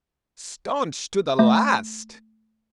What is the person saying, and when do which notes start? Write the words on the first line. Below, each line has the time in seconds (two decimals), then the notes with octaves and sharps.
Staunch to the last!
1.39 A3